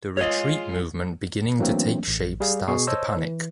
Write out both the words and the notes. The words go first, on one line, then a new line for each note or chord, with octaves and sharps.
The retreat movement beginning to take shape starts to panic.
G#3 F4 G#4 C#5 D#5
E3 F#3 A3 A#3 C4 D4
A1
G3 G#4 F5
B2 G#4 C#6 C7
C5 C#5 D#5 A5 E6
E3